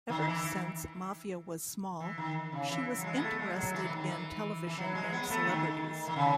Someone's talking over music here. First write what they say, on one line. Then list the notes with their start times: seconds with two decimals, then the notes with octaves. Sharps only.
Ever since Maffia was small, she was interested in television, and celebrities.
0.10 D#3
0.27 E3
2.00 E3
2.18 D#3
2.52 C#3
2.70 E3
2.96 F#3
3.04 G#3
3.14 B3
3.21 A3
3.39 G#3
3.57 F#3
3.74 E3
3.84 E3
3.91 D#3
4.08 E3
4.67 E3
4.78 F#3
4.95 G#3
5.12 B3
5.30 A3
5.47 D#3
6.07 D#3
6.16 C#3